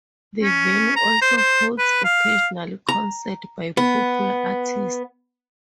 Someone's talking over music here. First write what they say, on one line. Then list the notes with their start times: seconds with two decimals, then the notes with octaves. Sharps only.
The venue also hosts occasional concerts by popular artists.
0.43 C#4
0.96 A#5
1.22 C5
1.37 C5
1.79 B4
2.04 F5
2.89 A#5
3.77 B3